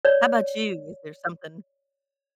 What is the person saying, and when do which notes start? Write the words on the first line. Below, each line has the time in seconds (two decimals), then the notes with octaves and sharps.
How 'bout you? Is there something
0.05 C#5 D5